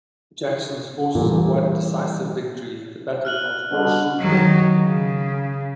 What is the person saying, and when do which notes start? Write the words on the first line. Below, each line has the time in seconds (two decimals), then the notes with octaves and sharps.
Jackson's forces won a decisive victory at the Battle of Horseshoe Bend.
1.15 A#2 E3 G3 A3 A#3
3.25 F6 F#6 F#7
3.70 G2 B2 D3
4.19 D#3 F#3
4.82 C#3